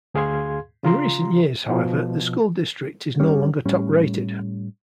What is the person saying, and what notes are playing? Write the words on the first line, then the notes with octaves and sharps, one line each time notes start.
In recent years, however, the school district is no longer top rated.
D2 G#4 F5 C6 G#6
C#3 F4 A#5 C6
B2 F3
G1 G3 C#4
A2 G3 C#4